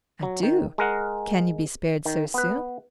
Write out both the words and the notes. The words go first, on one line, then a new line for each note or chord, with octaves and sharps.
"I do: can you be spared so soon?"
F#3
D#3
G#3 A#4 F#5
D#3
B3 B4